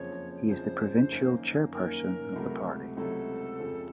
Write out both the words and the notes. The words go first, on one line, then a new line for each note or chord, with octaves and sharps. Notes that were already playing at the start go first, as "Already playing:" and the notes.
He is the Provincial Chairperson of the party.
Already playing: F#1 F2 C#3 F3 C#5
F#1 F2 C#3 F3 C5
F#2 D#3 A#3
F#2 D#3 A#3 A#4
C#2 C3 F#3 A3
C#2 C3 F#3 A3 A4
F2 C#3 F3